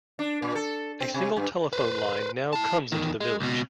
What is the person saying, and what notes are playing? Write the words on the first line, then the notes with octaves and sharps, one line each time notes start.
A single telephone line now comes into the village.
D4
A#2
A4
C4
C3
G2
B4 C5
E4 A5
E2 D#3
G#3
C#2 B2